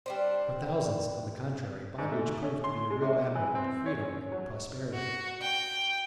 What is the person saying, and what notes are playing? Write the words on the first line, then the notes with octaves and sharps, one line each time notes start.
For thousands, on the contrary, bondage proved to be a real avenue to freedom and prosperity.
G3 D4 C5
G#2
A3
C#4
C6
G#3
C3
E3
C4
C#5
C#4
F#3
F#4
G5